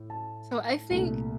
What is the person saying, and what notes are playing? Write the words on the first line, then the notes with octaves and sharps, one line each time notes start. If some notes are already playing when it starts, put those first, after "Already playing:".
so I think
Already playing: A2
A5
C2 A#2 A3